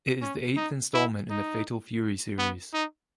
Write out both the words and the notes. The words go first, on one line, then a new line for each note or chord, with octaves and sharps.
It is the eighth installment in the "Fatal Fury" series.
C#4
D#4
E4
D#4
B3
D#4